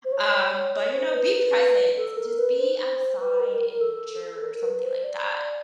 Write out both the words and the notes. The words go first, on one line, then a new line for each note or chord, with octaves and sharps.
Um, but, you know, be present. Just be outside in nature or something like that.
C5
C#5
C#5
C5
B4
B4
A4
A#4
B4
C5
C5
C5
B4
A#4
A#4
A4
A#4
B4
C5
D5